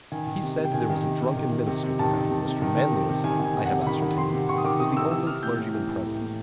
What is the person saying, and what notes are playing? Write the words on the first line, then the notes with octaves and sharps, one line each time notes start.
"He said there was a drunken minister there, and Mr. Manlius, I have ascertained, was the only clergyman present."
D#3 G#5
D#3
C3
C3
G5
D#3 G#5
D#3
C3
C3
D#3
D#3
C3
C3
D#3 A5
D#3
C3
C3
D#3
D#3
C3
C3
D#3 G#5
D#3 G#5
C3
F#5
C3
D#3 B5
D#3
C3 C6
C3
D#3 C#6
D#6
D#3 D6
C3 D#6
C3 E6
E3 E6
E3 F6
A2 G6
A2
E3
E3
A2
A2